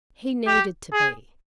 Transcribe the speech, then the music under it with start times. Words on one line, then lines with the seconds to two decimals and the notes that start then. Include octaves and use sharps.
He needed to be.
0.47 G4
0.93 G#4